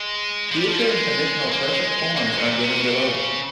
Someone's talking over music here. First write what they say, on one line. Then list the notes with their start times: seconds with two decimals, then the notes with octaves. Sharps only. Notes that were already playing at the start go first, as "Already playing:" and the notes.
Future and conditional perfect forms are given below.
Already playing: G#3
0.51 F3
0.56 G3
0.68 F3
0.78 G3
0.89 G#3
1.52 A#3
1.63 G#3
1.73 G#3
2.16 A#3
2.26 G#3
2.37 C3
2.48 A#2
2.64 C3
2.81 C#3